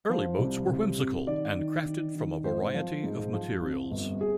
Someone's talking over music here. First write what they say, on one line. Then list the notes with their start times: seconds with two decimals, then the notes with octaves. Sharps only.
Early boats were whimsical and crafted from a variety of materials.
0.09 F3 C5
0.38 C2
0.68 C2
0.98 C3
1.27 D#3 D5
1.57 D#3
1.86 D#3
2.15 D#3
2.44 G#1 C5
2.74 F3
3.04 G#2
3.33 F3
3.62 F2
3.91 G1
4.21 G#4